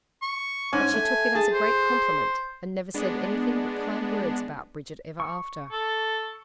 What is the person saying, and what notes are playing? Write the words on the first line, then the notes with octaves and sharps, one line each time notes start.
But she took it as a great compliment and never said anything but kind words about Bridget ever after.
C#6
G#2 C#4 G#5
A3
G#4 A5
C5
G#3 B3 D4
C#6
A4